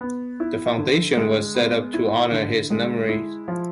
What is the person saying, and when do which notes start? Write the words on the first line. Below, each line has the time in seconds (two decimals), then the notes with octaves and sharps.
The foundation was set up to honor his memory.
0.01 B3
0.40 E4
0.78 D3
1.17 G#3
1.55 B3
1.94 E4
2.32 D3
2.70 G#3
3.09 E4
3.48 F3